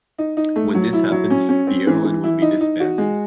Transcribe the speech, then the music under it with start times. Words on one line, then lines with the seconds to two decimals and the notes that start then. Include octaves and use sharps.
When this happens, the airline will be disbanded.
0.18 D#4
0.37 D#4
0.56 A3
0.74 F#3
0.93 E4
1.12 F#3
1.30 C#4
1.49 C#4
1.67 C4
1.87 E3
2.05 E3
2.24 E4
2.42 D#4
2.61 D#4
2.80 F#4
2.98 G#3